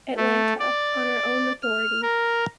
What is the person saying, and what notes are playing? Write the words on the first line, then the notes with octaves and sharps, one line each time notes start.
Atlanta: On Our Own Authority!
A3
D5
F6
A#4